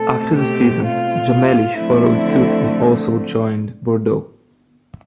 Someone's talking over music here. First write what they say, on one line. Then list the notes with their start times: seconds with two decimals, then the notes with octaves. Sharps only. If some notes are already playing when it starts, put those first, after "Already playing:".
After the season, Jammeli followed suit and also joined Bordeaux.
Already playing: B2 A3 C4 A4
0.37 G4
0.84 F4
1.77 D3 F3 A3 C4 E4